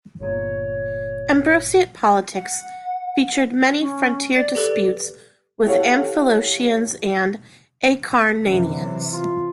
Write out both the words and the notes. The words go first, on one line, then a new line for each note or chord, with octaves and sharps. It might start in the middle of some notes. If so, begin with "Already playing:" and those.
Ambraciot politics featured many frontier disputes with the Amphilochians and Acarnanians.
G1 A#2 C#5
F#5
C#4
D5 A6
G4 A4 B4
E4 G4 A4 C#5 F5 F#5
F#2 C3 E3
F#3
F4